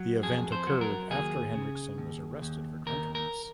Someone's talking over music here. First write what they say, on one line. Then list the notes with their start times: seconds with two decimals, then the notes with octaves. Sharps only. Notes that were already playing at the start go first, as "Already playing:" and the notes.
The event occurred after Henriksson was arrested for drunkenness.
Already playing: F#3
0.23 F2 G#4
0.52 C5
0.67 F#3
0.81 A#4
1.11 D#2 G#4
1.55 C#3
1.98 D#2
2.42 D#2
2.86 D#2 A#4
3.15 A#4